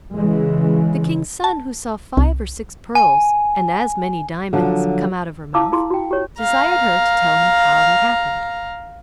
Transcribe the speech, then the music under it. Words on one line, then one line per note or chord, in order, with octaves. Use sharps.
The King's son, who saw five or six pearls, and as many diamonds, come out of her mouth, desired her to tell him how that happened.
C#3 E3 G#3
A5
C2
G#5
D3 F3 F#3
E4 F5 A5 D6 E6
E4 G#4 C6
F#4 G5
G4 C#5
F5 A#5